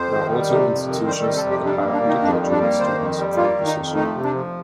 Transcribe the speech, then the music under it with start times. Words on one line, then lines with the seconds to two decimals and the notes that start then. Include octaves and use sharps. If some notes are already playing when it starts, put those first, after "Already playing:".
There are also institutions that hire undergraduate students for the position.
Already playing: F2 C5
0.11 D#3
0.31 G3
0.49 C3
0.69 F2
0.88 D#3
1.07 G3 C5
1.21 A4
1.27 C3
1.36 A4
1.45 F2
1.50 G4
1.64 G3 D4
1.79 D4
1.84 A#3
1.93 D4
2.03 D#3 D#4
2.23 F2 D4
2.42 G3
2.51 D4
2.61 A#3
2.79 D#3 C5
2.99 F2
3.18 G3
3.37 A#3 F4
3.57 D#3
3.66 D#4
3.75 F2
3.95 A3 D#4
4.14 C3
4.23 D4
4.33 F3